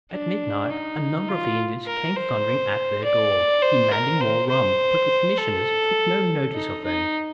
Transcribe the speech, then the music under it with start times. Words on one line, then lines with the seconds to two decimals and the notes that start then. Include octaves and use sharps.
At midnight, a number of the Indians came thundering at their door, demanding more rum; but the commissioners took no notice of them.
0.12 D4
0.70 D#4
1.28 F4
1.87 A#4
2.16 C5
3.04 D5
3.62 C5
3.91 A#4
4.21 C5
4.49 C5
5.37 A4
6.54 D#4
6.84 D#4